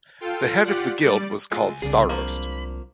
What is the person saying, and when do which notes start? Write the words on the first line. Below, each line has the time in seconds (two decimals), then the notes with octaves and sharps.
The head of the guild was called "staroste".
0.21 F4 A4 G5
0.63 F4 G4 D5 F#5
0.99 G3 D5
1.52 C#2 G#3 A3 F4 G#5
1.82 C2 C#3 F#3 D4 G#4
2.09 F3 A#3 B5